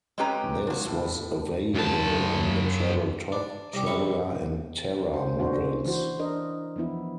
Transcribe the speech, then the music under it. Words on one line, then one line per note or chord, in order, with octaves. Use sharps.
This was available on the Travel top, Traveler and Terra models.
G#3 C4 C#4 G4 B4 A#5
F3 F#3
A2
F#2 A5
D4
C2 G4
A#1 C4 B5 C#6
C#4 F#4 C5
A#2 C#3 D4 F#4 C5
E3 E4 F#4 C5
D4 A#4 D#5
E3 F3 B3 E4